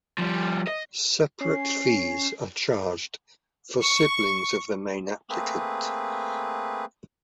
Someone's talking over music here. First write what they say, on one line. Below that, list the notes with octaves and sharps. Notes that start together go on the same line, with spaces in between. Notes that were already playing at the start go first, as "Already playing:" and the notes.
Separate fees are charged for siblings of the main applicant.
F3 G3
D#5
C#4 C7
C#6
A3 A#3 C4 G#4 B4